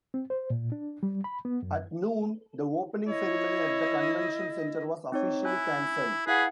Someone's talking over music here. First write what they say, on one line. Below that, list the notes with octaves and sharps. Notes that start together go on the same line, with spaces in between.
At noon, the opening ceremony at the convention center was officially cancelled.
C4
C5
A#2
D4
G3
B5
B3
F#2
E4 C#5 D#5
C4 D#4 C#5
E4 G#5 F#6
E4 G#4 B4 F5 F#5